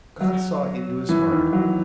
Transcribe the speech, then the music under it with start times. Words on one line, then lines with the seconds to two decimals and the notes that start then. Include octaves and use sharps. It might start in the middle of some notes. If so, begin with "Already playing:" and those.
God saw into his heart.
0.21 F#3
1.09 E3
1.31 D#3
1.53 F#3